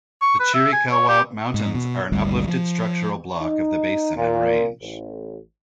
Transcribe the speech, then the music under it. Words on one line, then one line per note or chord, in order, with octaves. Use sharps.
The Chiricahua Mountains are an uplifted structural block of the Basin and Range.
C#6
B4
E5
G#5
C#5
G4
G#2
B2
G#1 D2 G3
F3
D#4
A#2
A1